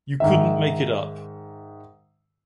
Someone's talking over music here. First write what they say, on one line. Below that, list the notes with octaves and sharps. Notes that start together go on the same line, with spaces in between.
You couldn't make it up.
G#2 D#3 E5